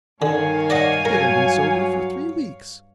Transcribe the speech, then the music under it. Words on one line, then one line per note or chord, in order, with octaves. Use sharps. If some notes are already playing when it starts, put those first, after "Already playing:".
You haven't been sober for three weeks.
G2 D3 D#3 C#5 F5 G#5
D5 D#5 F#5
F#3 A#4